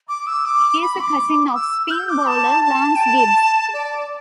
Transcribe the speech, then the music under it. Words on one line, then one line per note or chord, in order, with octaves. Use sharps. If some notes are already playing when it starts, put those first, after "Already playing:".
He is a cousin of spin bowler Lance Gibbs.
D6
E6
D6
B5
D6
E6
E6
G6
D6
A5
A5
G5
A5
D5